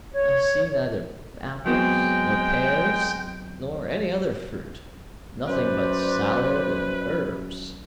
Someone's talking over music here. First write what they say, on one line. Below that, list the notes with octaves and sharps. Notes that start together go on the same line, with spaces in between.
I see neither apples nor pears, nor any other fruit, nothing but salad and herbs.'
C#5
F#3 G#3 B3 C4 G5
F#2 B4 C5 D5